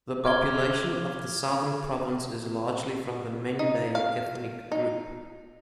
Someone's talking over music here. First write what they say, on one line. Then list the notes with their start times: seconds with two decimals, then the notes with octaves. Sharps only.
The population of the southern province is largely from the Mende ethnic group.
0.24 D6 F6 G#6 G7
3.59 D#4
3.95 F5
4.72 D#4